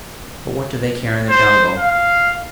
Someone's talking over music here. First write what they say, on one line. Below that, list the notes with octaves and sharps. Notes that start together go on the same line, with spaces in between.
But what do they care in the Jungle?
C5
F5